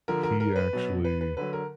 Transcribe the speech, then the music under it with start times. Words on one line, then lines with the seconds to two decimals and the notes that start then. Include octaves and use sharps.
he actually
0.08 D3 F3 A#4
0.23 A#4
0.40 A#4
0.56 B4
0.73 B2 F#3
1.04 B4
1.21 B4
1.37 D3 F#3 B4
1.53 A#4